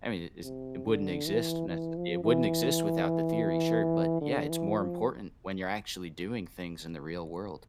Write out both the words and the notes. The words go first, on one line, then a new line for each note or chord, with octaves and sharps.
I mean, it's it wouldn't exist nece it wouldn't exist without the theory, sure, but, yeah, it's more important when you're actually doing things in the real world.
C3
D3
E3
E3
F3
E3
D3
E3
F3